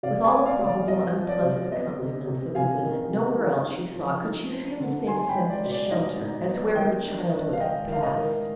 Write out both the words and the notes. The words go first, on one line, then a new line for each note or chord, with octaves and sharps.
With all the probable unpleasant accompaniments of the visit, nowhere else, she thought, could she feel the same sense of shelter as where her childhood had passed.
C3 D5 F5
F5 G#5
B3
D5 F5
C3
D5
F3 D#5
F3
D5
C3
B3 D#5
C3
C3
C3 F5 G#5
D#3
C3
D#4
D#4
F3
D#4
C4
D3
D#4 G#5 C6
G#5
G5 B5
G#3
D5
B2
D5
D#4 D#5
D#4
B3
D#3 D#5 G5
D4
D4
F5
G#3 D#5 G5
D#3 F5
D#5
D#3